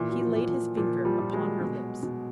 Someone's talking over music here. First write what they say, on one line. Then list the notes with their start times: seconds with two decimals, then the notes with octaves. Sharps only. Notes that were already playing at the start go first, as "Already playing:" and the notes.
He laid his finger upon her lips.
Already playing: A#2 E3
0.09 F#3
0.21 F3
0.35 A#2
0.49 F3
0.77 A#2 F3
1.05 F3 G3
1.19 A#2
1.33 F#3 G#3
1.61 B2
2.03 B2